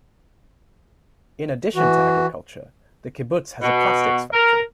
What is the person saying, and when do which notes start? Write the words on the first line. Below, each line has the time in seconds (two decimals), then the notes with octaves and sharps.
In addition to agriculture, the kibbutz has a plastics factory.
1.76 E3 F#4
3.62 B2
4.33 A#4